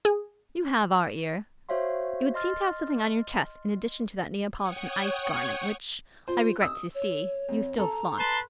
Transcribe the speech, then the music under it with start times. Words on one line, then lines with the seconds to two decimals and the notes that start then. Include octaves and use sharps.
'You have our ear. You would seem to have something on your chest in addition to that Neapolitan ice garment which, I regret to see, you still flaunt.
0.05 G#4
1.69 F#4 C5 C#5 E5 F5 C6
2.34 D#5 C6 F6 A6
4.56 C#5 F#5 G5 C#6 D#6 G#6
6.28 F4 C5
6.62 D#6 E6
6.95 C#5
7.49 F2
7.78 A4 A#5
8.17 B4 A5 C6